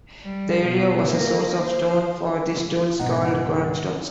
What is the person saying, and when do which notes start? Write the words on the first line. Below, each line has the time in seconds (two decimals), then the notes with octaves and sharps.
The area was a source of stone for these tools, called quern-stones.
0.23 G3
0.63 B2
1.10 A#3
1.64 C5
3.00 C#2 G#2 B2 D#4 F#5